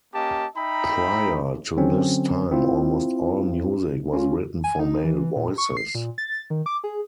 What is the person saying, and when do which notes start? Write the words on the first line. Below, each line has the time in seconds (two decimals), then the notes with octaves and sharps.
Prior to this time almost all music was written for male voices.
0.14 A#3 C#4 G4 D#5 A5
0.56 D#4 E5 G5 A#5 B5
1.77 D3 F#3 C4 C#4
2.51 C4 E4 F4
4.13 C#4 F4
4.64 G#5
4.79 D#4
5.04 E3
5.36 A#2
5.58 C#6
5.77 C7
5.95 A#2
6.18 A6
6.50 D#3
6.66 D6
6.84 G#4